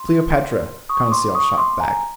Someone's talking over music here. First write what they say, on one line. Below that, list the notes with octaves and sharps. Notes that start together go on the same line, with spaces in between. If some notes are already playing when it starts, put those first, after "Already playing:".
"Cleopatra," Conseil shot back.
Already playing: C6
C#6 D#6
C6 D6
C#6 D#6
C6 D6
G#5 A#5